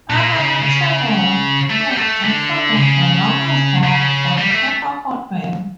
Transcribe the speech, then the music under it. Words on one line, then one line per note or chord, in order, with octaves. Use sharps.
Other notable hits included "The Longest Walk" and "Pepper Hot Baby".
A#2
C#3
C#3
A3
G3
A3
D3
C#3
C#3
G3
A3